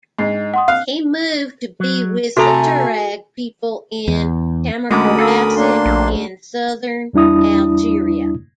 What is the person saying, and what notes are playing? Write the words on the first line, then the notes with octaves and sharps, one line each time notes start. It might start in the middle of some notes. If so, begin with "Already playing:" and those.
He moved to be with the Tuareg people, in Tamanghasset in southern Algeria.
G#2 D4 D#5 C7
F#5 C6 D#6
F5 F#6
F#3
C3 A3 F#4 A4 G#5 A#5
E2
D2 G#3 C#4 A#4 B5 D6 D#6
A4
A#3 D4 C6
A#1
E2 G3 D4 E4 D#6